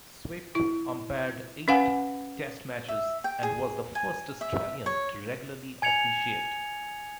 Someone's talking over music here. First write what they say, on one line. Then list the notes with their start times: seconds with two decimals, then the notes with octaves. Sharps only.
Swift umpired eight Test matches, and was the first Australian to regularly officiate.
0.55 E4
1.68 C#4 B4 F5 F#5 G#5
2.88 E5
3.24 G5
3.43 G#4
3.95 G#5
4.41 E5
4.86 C#5
5.82 G#5 G#6 C#7 F7